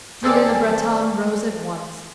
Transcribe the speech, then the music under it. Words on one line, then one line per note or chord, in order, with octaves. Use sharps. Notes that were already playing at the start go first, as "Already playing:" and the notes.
Julie Le Breton rose at once.
D#2 C4 G#4 A4 D5 A6